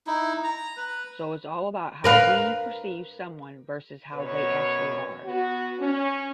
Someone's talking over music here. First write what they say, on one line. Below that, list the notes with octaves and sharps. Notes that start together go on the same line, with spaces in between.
So it’s all about how we perceive someone versus how they actually are.
D#4 E4
A#5
B4
A#4 B4 F5
F#2 B2 B4 C#5
B3 F#4
C#4